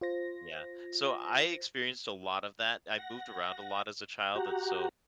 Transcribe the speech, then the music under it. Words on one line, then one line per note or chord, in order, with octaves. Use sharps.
Yeah, so I experienced a lot of that. I moved around a lot as a child and so,
F4 C5 A#6
F#5 A#6
F#4 G4 F#5 A#5